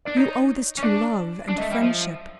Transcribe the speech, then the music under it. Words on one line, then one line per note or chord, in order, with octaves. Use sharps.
You owe this to love and friendship.
D4 D5
D#4 C#5
C#4
D4 D5
D4
A3 D#5
G3
E5
F3